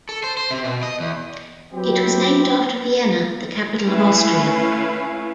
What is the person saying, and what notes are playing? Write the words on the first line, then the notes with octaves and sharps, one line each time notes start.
It was named after Vienna, the capital of Austria.
A4
C5
C5
C3
B2
D#5
E2
F#3 B3 C4 E4 G4
A3 C#4 E4 B4 F5